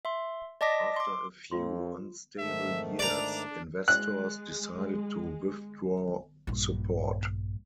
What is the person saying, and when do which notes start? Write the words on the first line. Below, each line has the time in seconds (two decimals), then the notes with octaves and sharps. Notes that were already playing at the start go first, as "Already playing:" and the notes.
After a few unstable years, investors decided to withdraw support.
0.05 E5 C6
0.61 D5 D#5 A5 D6 A#6 B6
0.96 C6 D6
1.51 F2 F4 C6
2.38 G#2 D#3 A3 E5
2.99 D4 D5 A#5
3.88 G#3 F#6
6.47 A#1 G2